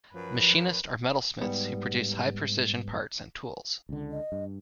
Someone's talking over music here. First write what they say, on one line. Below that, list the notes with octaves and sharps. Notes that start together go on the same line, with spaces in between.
Machinists are metalsmiths who produce high-precision parts and tools.
F#2 F3 B4
G#2 G3 B3
C#2 D3
D#5
G2